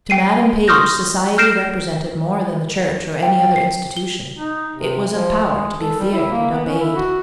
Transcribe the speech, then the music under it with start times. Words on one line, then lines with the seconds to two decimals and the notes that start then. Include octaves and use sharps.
To Madam Page society represented more than the church or any other institution. It was a power to be feared and obeyed.
0.10 G5 C7 D#7
0.68 C6 C#6 D#6 F6 G6 A#6
1.38 F6 G6 A#6 C7 D7 E7
3.23 G5
3.56 C7
3.97 G7
4.37 D#4
4.75 C3
5.10 F3
5.43 G#3
5.79 A4
5.99 G3
6.13 E4
6.30 A#3
6.51 B3
6.67 C#4
6.80 E4
6.96 F#4